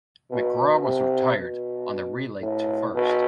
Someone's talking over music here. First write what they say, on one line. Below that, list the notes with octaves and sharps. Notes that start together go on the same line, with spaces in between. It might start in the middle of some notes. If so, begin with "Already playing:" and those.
McGraw was retired on the relay to first.
B2
C3
B2
A2
B2